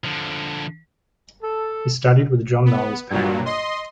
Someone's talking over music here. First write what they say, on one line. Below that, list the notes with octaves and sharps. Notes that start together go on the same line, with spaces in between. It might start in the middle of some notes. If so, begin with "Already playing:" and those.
He studied with John Knowles Paine.
D3 F3
A4
B3
G2 A#2 F#3
D#5 C6